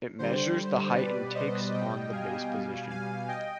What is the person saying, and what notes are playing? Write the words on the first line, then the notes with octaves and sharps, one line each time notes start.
It measures the height and takes on the base position.
D3 G3 C5
B2 G3 B4 D5
C5 D#5
B2 G3 D#5 G5
F5 G#5
B2 G3
F5 G#5
D#5 G5